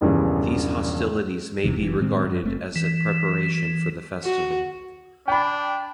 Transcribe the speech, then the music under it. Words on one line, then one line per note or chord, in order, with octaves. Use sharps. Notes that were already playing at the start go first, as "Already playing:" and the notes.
These hostilities may be regarded as a preparation for the festival.
E1 A#1 G2 C#3 E3
E1 E2 C3 E3
F1 E3
A2 D#3 G#3 C4
F#2
F#1 A3 C4
E3
F#4
D4 G5 B5